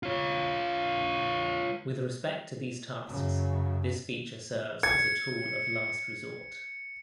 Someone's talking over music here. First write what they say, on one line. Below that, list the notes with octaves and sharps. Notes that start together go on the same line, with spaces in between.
With respect to these tasks, this feature serves as a tool of last resort.
F4 C#5
F#2 C#3
G#6 C#7